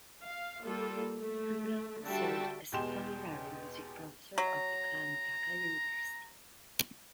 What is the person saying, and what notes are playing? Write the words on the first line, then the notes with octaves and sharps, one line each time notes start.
Hangal served as honorary music professor of the Karnataka University.
F5
G3 A#3 F4 A4
A3
D3 G3 F#4 E5 G5 A5
E2 B2 G#3 G4 C6 E7
F#3 A#5